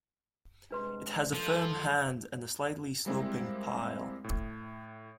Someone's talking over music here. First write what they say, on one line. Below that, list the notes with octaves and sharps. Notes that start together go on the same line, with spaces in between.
It has a firm hand and a slightly sloping pile.
G2 C3 G#3 D4 B4 C6
F3 G#3 A#3 A4
G3 G#3 A#3 C4 E4
A2